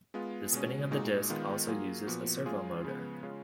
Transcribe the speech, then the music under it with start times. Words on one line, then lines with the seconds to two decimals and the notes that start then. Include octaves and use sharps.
The spinning of the disk also uses a servo motor.
0.14 G#3 B3 F4
0.53 B2 G#3 C#4
0.91 A#2 G#3 D#4 F#4
1.30 D#3 G#3 B3 F4
1.68 F#3 A#3 F4 G#4
2.07 A#2 F3 B3 F#4
2.46 F3 G#3 C#4 F4 G#4
2.84 C#3 F3 G#3 B3
3.23 C#3 G#3 C#4 F4